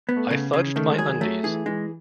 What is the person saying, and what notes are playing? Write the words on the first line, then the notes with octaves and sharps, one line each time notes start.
I Fudged My Undies!
B3
A3
C#3
C#3
D#3 A3
G#3
F#3 G#4
F#3 A3
E3 G#4
E3 G#3